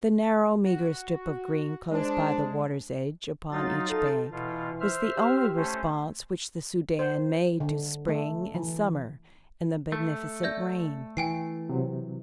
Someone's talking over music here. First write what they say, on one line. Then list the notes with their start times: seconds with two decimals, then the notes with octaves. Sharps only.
The narrow meagre strip of green close by the water's edge upon each bank was the only response which the Soudan made to Spring and Summer and the beneficent rain.
0.65 F#4
1.91 G#3 D4 C5
3.52 F#3 D#4 F4 A6
3.90 A4
4.31 B2 E3 F4
4.80 C5 E5 F6
5.17 G4
5.56 A3 C#4 C5
6.99 C5
7.60 D3
8.08 A3
8.55 E3
9.92 A3
10.43 D5 E5 G6
11.17 E3 G5 G#5 C7
11.69 C3 F#3